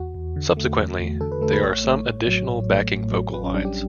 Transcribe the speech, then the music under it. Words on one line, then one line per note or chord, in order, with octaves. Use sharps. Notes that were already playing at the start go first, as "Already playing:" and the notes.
Subsequently, there are some additional backing vocal lines.
Already playing: E2 F#4
E2
D3
A3
E2
E2
D3 A4
B4
A3 A4
B4
A1 C#5
A3
A2
F#3
A1
A3
A2
F#3
A1 B4
C#4
G3 D4
G4